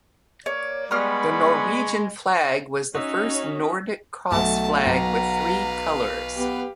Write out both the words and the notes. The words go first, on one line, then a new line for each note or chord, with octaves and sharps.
The Norwegian flag was the first Nordic cross flag with three colours.
A#3 C#5 D5
G3 G#3 B3 B5 C#6 D#6 F6
C#4 D#4 F#4 D#5 E5
B1 A3 F#5 A5
B1 B4 F5 A#5
B3 G4